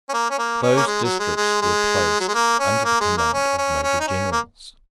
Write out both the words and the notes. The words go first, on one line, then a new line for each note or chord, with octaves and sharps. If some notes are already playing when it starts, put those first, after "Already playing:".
Those districts were placed under the command of Major Generals.
C#4
A#3
C#4
A#3
C#4
A#3
G#3
F#3
G#3
G#3
G#3
F#3
G#3
A#3
C#4
A#3
G#3
A#3
C#4
C#4
C#4
D#4
C#4
A#3